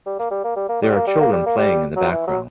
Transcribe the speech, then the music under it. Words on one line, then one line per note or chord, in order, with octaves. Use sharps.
There are children playing in the playground.
G3
A#3
G3
A#3
G3
A#3
G3
A#3
G3
A#3
G3
A#3
G3
F#3
E3
F#3